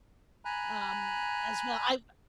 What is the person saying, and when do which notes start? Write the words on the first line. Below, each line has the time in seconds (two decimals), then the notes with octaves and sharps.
um, as well, I've
0.45 G#5 A#5 B5 F#6